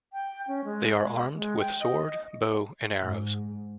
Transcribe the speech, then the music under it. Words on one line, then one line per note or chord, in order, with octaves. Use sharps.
They are armed with sword, bow and arrows.
G5
C#4
G#3
G#3
G5
D#5
G#2